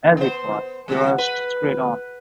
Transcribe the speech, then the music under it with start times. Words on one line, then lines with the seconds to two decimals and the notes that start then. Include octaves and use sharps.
As it was, he rushed straight on.
0.17 B3 C5
0.88 G3 G#3 F#4
1.18 B4